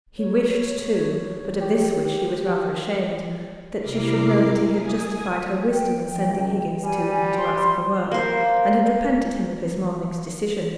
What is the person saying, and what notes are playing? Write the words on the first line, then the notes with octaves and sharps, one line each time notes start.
He wished too, but of this wish he was rather ashamed, that she should know that he had justified her wisdom in sending Higgins to him to ask for work; and had repented him of his morning's decision.
C#5
G4
C3 G3 E4 A#4 D6 C7
G#5 D#6
G5
C#2
G3 G#5
C6
A#3 C5